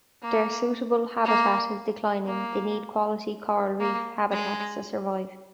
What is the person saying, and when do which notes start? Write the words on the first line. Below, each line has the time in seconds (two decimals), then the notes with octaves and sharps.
Their suitable habitat is declining; they need quality coral reef habitats to survive.
0.22 A#3
1.25 A#3
2.27 A#3
3.80 A#3
4.31 G#3